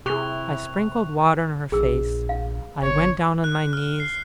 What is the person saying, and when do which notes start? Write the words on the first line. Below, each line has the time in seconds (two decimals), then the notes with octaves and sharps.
I sprinkled water on her face. I went down on my knees.
0.06 C3 E4 G4 G#4 C#6 F#6 F7
1.72 A#1 G#4 E6
2.29 F5
2.82 G1 C#5
3.44 F#6
3.73 F6
4.00 C7